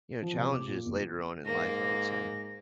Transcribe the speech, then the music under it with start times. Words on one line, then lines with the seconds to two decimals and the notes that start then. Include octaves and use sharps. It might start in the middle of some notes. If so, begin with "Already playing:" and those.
you know, challenges later on in life, I would say.
0.22 F3
0.35 C3
0.53 D6
0.67 A#2
0.86 F#1
1.45 G#2 A#3 A#6